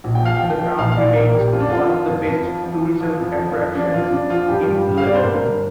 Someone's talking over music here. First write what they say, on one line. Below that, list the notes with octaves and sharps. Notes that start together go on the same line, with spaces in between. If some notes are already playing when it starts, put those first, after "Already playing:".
The town remains one of the best tourism attractions in Lebanon.
A#1
G5
F3 F5
F3 G5
F3
A#1 F5
F5
A#1 D5
A#1 A#4
A#1 G4
F2 F4
D4
F2 F4
F3
F2
F2
F3
F3
F3
F3
F2
F3
F2
F3 D4
F2 F4
F2 D4
F3 F4
G2 G4
G3 F4
G4
G2
F5
G2 D5
C5
G2 A#4
G1